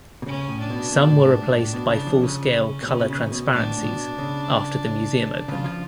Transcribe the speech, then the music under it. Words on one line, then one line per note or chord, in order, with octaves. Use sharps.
Some were replaced by full-scale color transparencies after the museum opened.
B2
C#3 C#4
A2
D4
B2
B2
A2
A2
G#2
A2 D4
B2
C#3 D4
F3
C#3 C#4
B2
C#3
B2
C#3
C#3
B2
A2 D4
A2
B2
C#3
C#3 F4
F3